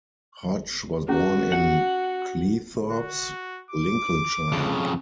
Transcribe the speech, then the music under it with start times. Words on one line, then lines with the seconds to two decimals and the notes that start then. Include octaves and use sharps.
Hodge was born in Cleethorpes, Lincolnshire.
1.08 C#4 E4 F#4 G#4
1.52 F#5
2.91 F#4
3.70 D6
4.52 F2 C#3